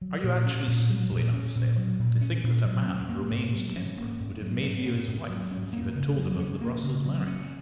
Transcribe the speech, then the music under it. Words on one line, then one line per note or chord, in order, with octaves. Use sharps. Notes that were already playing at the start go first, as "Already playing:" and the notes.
"Are you actually simple enough, Stella, to think that a man of Romayne's temper would have made you his wife if you had told him of the Brussels marriage?"
F#3
A#2
C#4
A#2
F#3
A#2
C#4
A#2
F#3
A#2
C#4
A#2
F#3
C#4
A#3
G#2
F#3
C#4
A#3
G#2
F#3
C#4
A#3
G#2
F#3
C#4
A#3
C#3
F#3
C#4
A#3
C#3
F#3
C#4